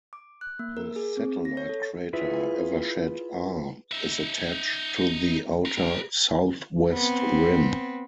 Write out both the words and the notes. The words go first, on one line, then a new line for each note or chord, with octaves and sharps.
The satellite crater Evershed R is attached to the outer southwest rim.
D6
F#6
A#3
A#4
G#4
C4
A#6
C#5
A4
E4 F4 G#4 B4 E5
D#4 E5
B4 A#5
B3 C4